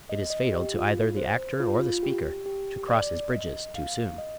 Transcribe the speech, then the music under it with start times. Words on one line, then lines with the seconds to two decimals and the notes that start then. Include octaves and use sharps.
It is fatal to either the actor or the speaker to cross his bridges too soon.
0.09 D#5
0.30 D#5
0.52 G4
0.74 F4
1.17 C5
1.60 F4
1.82 F4
2.03 G4
2.46 G4
2.88 D5
3.32 D#5
3.75 F5
4.18 D#5